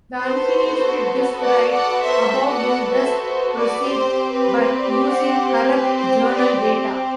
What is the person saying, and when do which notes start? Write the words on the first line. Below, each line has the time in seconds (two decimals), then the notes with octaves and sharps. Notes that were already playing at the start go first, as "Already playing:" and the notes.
The unfinished disk write above will thus proceed, but using corrupt journal data.
0.19 B3 F#4 A4 C5
1.41 D5 F#5
1.72 D5 F#5
2.03 C5 E5
2.48 D5 F#5
2.95 C5 E5
3.25 C5
3.55 B4 D5
3.86 C4 G4 C5
4.32 B4
4.78 B4 D5
5.08 D5 F#5
5.38 C5
5.70 B4
6.00 C5
6.30 B4 D5
6.61 C5